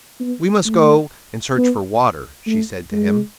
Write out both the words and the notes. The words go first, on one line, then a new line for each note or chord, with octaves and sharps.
"We must go and search for water," she said to him.
B3
A3
B3
A3
G#3